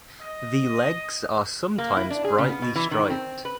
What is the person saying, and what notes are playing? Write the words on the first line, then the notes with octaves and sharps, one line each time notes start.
The legs are sometimes brightly striped.
D#5
A#3
E4
D4
G#4
C#3
B3
B2
E3
D#3
C4
B4